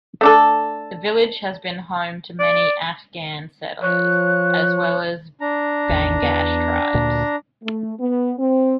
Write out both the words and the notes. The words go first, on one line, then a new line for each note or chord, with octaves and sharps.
The village has been home to many Afghan settlers as well as Bangash tribes.
A3 D4 A4
D5
F3 C#5 F#6
D4 A#5
A1 E2
E2 B3
D2 A#2
A3
B3
C4